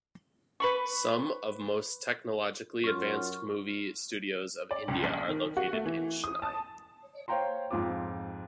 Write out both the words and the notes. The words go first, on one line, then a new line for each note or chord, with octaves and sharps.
Some of most technologically advanced movie studios of India are located in Chennai.
B4 B5 C#6
F#2 F4 C#6 F6
D5
C#2
A#1
D#3
F#4
A3
E3
D#6
A5
C5 C#5 F5 G5 A#5 C6
F2 G#2 F4 D6